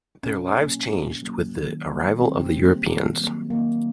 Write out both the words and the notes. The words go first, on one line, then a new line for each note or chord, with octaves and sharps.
Their lives changed with the arrival of the Europeans.
B2 C#4
F#3 A#3
B2
F#3 A#3
D#3
G3 A#3
D#3 C4
G3 A#3
D#3
F#3 A#3
D#3 A#3